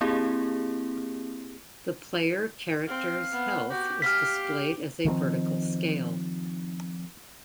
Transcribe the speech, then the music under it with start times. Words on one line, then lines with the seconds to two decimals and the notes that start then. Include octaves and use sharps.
The player character's health is displayed as a vertical scale.
0.01 A#3 C4 E4 G4 G#4
2.88 C4 F5
3.32 B3
3.70 F#4 G4
4.02 G4 F5 F6 B6
5.05 D#3 F3 G3 C4